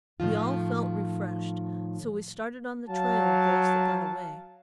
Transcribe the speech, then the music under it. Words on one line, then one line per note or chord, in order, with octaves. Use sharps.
We all felt refreshed; so we started on the trail of those that got away.
A2 D#3 F3 F4
F#3 F5 A5